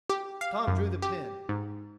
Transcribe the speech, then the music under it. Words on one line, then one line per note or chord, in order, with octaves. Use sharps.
Tom drew the pin.
G4
F5
F#2
G4
G#2